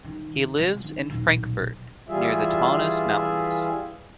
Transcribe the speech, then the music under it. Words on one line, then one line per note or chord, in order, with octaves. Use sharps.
He lives in Frankfurt near the Taunus Mountains.
G2 D#3
C3 F3
D#3
D#1 B1
E3 G3 F4 G#4 E5